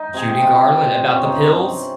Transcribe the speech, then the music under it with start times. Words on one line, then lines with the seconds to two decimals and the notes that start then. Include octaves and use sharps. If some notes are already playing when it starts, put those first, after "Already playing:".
Judy Garland, about the pills?
Already playing: D#4
0.14 C3 G#4
0.29 G4
0.42 C3 F4
0.69 C3
0.97 C3
1.14 C#4
1.24 G2 D#4
1.52 G2